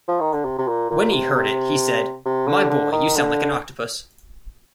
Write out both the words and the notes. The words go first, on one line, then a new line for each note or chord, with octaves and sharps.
When he heard it, he said, 'My boy, you sound like an octopus.
F3
D#3
D3
C3
C3
A#2
A#2
C3
C3
C3
D3
D3
D#3
D3